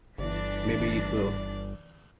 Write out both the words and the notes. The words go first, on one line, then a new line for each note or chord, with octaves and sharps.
Maybe it will.
G1 E3 D4 D5
G1